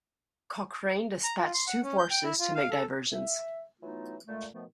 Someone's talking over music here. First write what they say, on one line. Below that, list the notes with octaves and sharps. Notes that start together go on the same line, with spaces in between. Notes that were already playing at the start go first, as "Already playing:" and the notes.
Cochrane dispatched two forces to make diversions.
A#5
F4
C6
F#5
C#4
G6
G5
E4
F4
F5
A4
E5
E3 F#3 A3 B3 D#4 F4
A#2 D3 G#3 A3
B2 D#3 F3 A3 B3